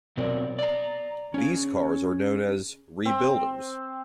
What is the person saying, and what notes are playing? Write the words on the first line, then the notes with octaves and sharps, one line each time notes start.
These cars are known as "rebuilders".
B2 F#3 C4 A#4 D5
D5 A#5
C#4 G#4
C4